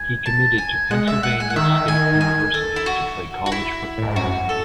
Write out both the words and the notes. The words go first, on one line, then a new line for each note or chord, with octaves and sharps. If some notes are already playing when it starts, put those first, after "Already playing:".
He committed to Pennsylvania State University to play college football.
Already playing: G#5
A5
G#5
G#3 F#5
E5
F#5
G#5
F#5
D#3 E5
G#5
G#5
A4
E4
F#4
F#4
E4
A2
G#2
F#2 F#4
A4